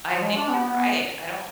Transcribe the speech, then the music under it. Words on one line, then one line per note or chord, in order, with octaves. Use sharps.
I think you're right, I don't
F3
G#3
D4
B3
B3